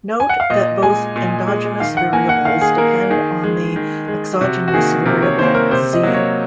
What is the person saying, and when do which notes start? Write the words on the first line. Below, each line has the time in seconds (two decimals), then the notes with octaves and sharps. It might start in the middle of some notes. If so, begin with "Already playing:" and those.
Note that both endogenous variables depend on the exogenous variable "Z".
0.20 G#5
0.29 F#5
0.40 F5
0.50 A#2 D#5
0.82 G#3 G#5
1.16 A#2
1.47 G#3
1.80 D#3 F5
1.97 F#5
2.13 A#3 G#5
2.29 F#5
2.45 D#3 F5
2.61 G#4
2.78 A#3 A#4
3.10 D#3 G#4
3.43 G#3
3.76 D#3
4.08 G#3
4.41 C3 F#4
4.68 F#4
4.73 D#3 A#3 G#4
5.05 C3 A#4
5.22 C#5
5.38 D#3 C5
5.42 A#3
5.55 A#4
5.71 C3 C5
5.93 D#5
6.03 F#3 A#3
6.14 C#5